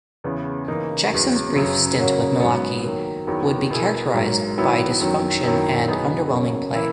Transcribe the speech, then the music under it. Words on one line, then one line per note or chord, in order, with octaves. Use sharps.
Jackson's brief stint with Milwaukee would be characterized by dysfunction and underwhelming play.
E2 C#3 E3 B3
C#3 E3 A#3 D#4
E2 C#3 F#3
F#2 C#3 F#3
C#3 F#3 A#3 C#4 F#4
G#2 F#3 B3
D#3 F#3 A#3
E2 D#3 F#3 B3 E4
B2 A#3 E4 G#4
G#2 F#3 A#3
D#3 F#3 B3 E4
F#2 D#3 F#3
F#2 D#3 F#3 A#3 E4
B2 F#3 B3 D#4 G#4
C#3 F#3 A#3 C#4
E3 A#3 E4